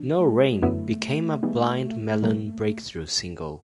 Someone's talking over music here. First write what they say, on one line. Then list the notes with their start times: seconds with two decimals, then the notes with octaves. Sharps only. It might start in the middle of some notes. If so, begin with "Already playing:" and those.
"No Rain" became Blind Melon's breakthrough single.
Already playing: E3 D4
0.18 A3
0.23 G#3
0.50 G#3
0.62 F#2 D3 F#3 A3 B3 E4
1.43 D#3 G3 B3 D#4 G#4
2.22 E2 B2 G3 A#3